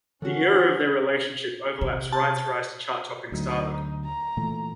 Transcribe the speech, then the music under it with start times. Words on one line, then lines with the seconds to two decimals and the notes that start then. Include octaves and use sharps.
The era of their relationship overlaps Wright's rise to chart-topping stardom.
0.22 D3 E3 F3 G3 C#4 F#4 F#5
1.81 C3
2.13 A5
3.32 D2 F#3 D#4
4.05 A#5
4.37 A#2 E3 A3